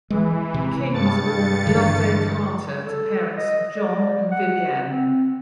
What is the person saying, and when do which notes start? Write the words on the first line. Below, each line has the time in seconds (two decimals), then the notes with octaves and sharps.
King was born Loveday Carter to parents John and Vivienne.
0.10 E3 G#3
0.54 C3
0.93 G2 A6 C#7
1.67 D3 E3
2.86 A4
3.37 D#5
3.76 D5
4.31 F#5
4.88 C4